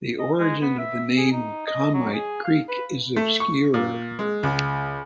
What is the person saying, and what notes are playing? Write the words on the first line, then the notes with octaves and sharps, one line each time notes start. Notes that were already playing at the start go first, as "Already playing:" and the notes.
The origin of the name "Comite Creek" is obscure.
D#5
G#3
B3
E5
G#4
D#4
D#5
F#3
G#4
F5
B4
A3
C#6
A#2
G#3
C#2